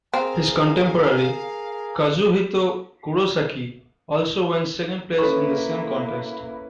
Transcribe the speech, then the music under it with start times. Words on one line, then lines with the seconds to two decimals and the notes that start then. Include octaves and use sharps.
His contemporary, Kazuhito Kurosaki, also won second place in the same contest.
0.14 C4 G#4 A#4 F5
5.18 A#3 C#4 E4 A4 B4 C#6